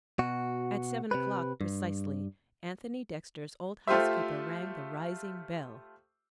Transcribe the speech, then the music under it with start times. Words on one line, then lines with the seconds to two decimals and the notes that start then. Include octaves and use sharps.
At seven o'clock, precisely, Anthony Dexter's old housekeeper rang the rising bell.
0.19 B2 F#4
1.11 C3 B4
1.61 G2
3.87 A3 F4 G4 C5 E5